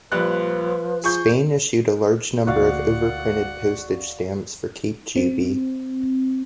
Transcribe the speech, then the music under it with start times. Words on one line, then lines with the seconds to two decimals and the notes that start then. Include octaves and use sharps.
Spain issued a large number of overprinted postage stamps for Cape Juby.
0.12 A#1 F3 G3 B4 F#6
1.04 F4 G#4 C#6 G6
2.47 D2 A#2 F#4 D5 F5 F#5
5.16 C4